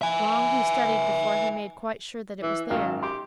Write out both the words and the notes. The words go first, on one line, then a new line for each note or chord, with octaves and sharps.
Long he studied before he made quite sure that it was there.
E5 G#5
E3
G#1 F#2 D#3 F5
G4 C6